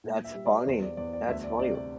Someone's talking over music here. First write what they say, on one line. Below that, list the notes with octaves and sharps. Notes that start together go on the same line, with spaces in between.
That's funny, that's funny.
A#2
E5
G3
D5
E2 C5
D5
E2 D5
D5
D2 E5
D5
C3 D5
D5